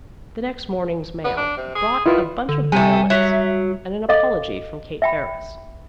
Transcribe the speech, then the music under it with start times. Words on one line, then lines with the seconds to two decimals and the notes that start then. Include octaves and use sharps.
The next morning's mail brought a bunch of violets and an apology from Kate Ferris.
1.24 B3
1.37 D4
1.57 C3
1.75 G#4
2.06 D#3 E4 F4 B4
2.49 D3
2.72 C3 G3 A3 G#5
3.10 F#3 E5
4.09 A4 D#5 F5 D6
5.02 E5 G5 B5